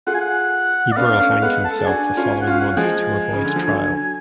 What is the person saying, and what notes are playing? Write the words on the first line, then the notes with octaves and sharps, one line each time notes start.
Eberl hanged himself the following month to avoid trial.
F4 G#4 F#5
G#5
F#5
D5
B3 D4 F5
A3 C#4 F5
G#3 B3 F#5
A5
A4
G#4
D4 F#4 G#5
C#4 F4
G#5
F#5
C#4 F4 F5
F#5
F3 G#3 G#5
C#3
D3
F3
D3 F#3